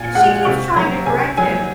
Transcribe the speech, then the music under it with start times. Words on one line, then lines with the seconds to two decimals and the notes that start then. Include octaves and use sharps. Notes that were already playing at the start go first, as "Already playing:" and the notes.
And she keeps trying to correct him,
Already playing: A#2 G#5
0.15 G#3 F#5
0.45 C3 C#6
0.76 F#3 A#5
1.06 C3 G#5
1.37 F#3 G#5